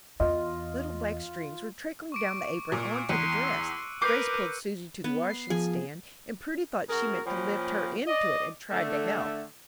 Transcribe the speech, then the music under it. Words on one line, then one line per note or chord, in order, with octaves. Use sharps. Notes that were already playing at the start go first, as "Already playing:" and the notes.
Little black streams were trickling down the apron on to the dress. Grace pulled Susy to the washing-stand, and Prudy thought she meant to lift her into it, and tried to help.
E2 F4 D#5
C#6 D6 D7
A#2
E2 C6 F#6 C#7 D#7
E6
A#4 B4 D6 G6 C7
B3
C7
F3 G#4
F#2 F#4 G#4 A#4
A#2 F3 C#4 G5 B5
D5 D#5
D3 A3